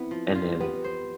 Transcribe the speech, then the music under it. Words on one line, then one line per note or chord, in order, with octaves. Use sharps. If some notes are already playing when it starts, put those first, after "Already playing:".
And then,
Already playing: B3 C4 E4
F3
F4
B3 G4 B4
C5